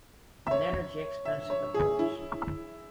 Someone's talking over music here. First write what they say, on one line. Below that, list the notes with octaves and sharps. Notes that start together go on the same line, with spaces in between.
An energy-expensive approach.
E5
C#5
E5
C#5
G#4
E4